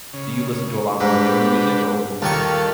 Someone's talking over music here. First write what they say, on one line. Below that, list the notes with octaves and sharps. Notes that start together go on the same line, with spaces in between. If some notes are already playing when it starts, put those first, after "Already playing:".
Do you listen to a lot more newer music or older music?
C#3
G#2 D4 G4 B4
D#2 D#3 G3 F4 A4 C#6